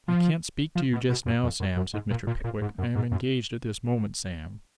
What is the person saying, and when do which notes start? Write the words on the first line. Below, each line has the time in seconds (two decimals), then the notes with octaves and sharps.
'I can't speak to you just now, Sam,' said Mr. Pickwick. 'I am engaged at this moment, Sam.'
0.08 F3
0.75 F3
0.93 B2
1.10 B2
1.26 F#2
1.43 F2
1.60 F#2
1.77 F#2
1.94 G#2
2.11 A#2
2.27 A#2
2.44 A#2
2.62 G#2
2.78 F#2
2.95 G#2
3.12 F#2